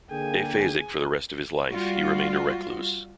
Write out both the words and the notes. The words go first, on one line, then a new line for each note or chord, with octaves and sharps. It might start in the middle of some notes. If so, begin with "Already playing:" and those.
Aphasic for the rest of his life, he remained a recluse.
D3 A#3 G#4 G5 G#5
G3 F4 F#4